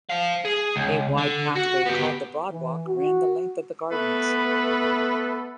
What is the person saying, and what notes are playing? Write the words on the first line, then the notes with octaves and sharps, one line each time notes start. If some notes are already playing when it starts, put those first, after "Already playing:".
A wide pathway called the Broad Walk ran the length of the gardens.
C5 F5
G#4
C#2
D3
F#4
B3 G4
E3
F#4
A3 B3 A4 B4